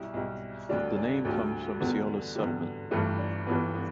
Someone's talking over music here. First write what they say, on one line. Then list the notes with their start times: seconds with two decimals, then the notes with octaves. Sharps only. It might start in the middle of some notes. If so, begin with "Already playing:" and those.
The name comes from "Ceola's settlement".
Already playing: B1 B2 G3 E4
0.14 B1 B2 G3
0.69 D2 D3 G3 D4
0.96 D4
1.25 D2 D3 G3 A3
1.80 E2 D3 G3 B3
2.35 E2 D3 G3
2.91 G1 G2 E3 G3 A3
3.19 D4
3.47 G1 G2 E3 G3 B3
3.75 B3